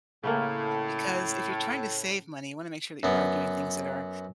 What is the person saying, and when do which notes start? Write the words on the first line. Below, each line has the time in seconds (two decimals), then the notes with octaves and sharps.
because if you're trying to save money, you wanna make sure that you are doing things that are
0.24 A2 C#3 A3 A#3
3.03 F#2 B3